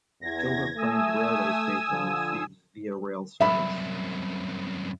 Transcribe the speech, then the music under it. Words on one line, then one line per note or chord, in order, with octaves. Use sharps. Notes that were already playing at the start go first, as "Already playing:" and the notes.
Gilbert Plains railway station receives Via Rail service.
E2 G#6 A#6
A3 G#5 D#6 E6
D3 F3
C2 F#2 E5 B5